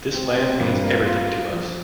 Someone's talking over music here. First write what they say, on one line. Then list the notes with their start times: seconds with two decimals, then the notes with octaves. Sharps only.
This land means everything to us...
0.14 C4
0.38 C4
0.60 G2
0.84 A#3
1.06 F4
1.29 F4
1.52 F3